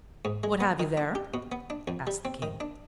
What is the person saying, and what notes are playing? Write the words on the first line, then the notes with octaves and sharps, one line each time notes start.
"What have you there?" asked the king.
G#2
G#3
B3
D#3
D4
G4
B2
B3
D4
F2
G3
C4
D#3
D4